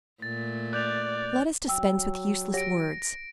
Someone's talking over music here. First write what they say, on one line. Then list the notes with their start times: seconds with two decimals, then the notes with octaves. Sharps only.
Let us dispense with useless words.
0.22 A#2 A3 A6
0.73 D5 F#6 G6 F7
1.68 F#3 G5 E6
2.54 G4 C#5 F#5 A#6 D7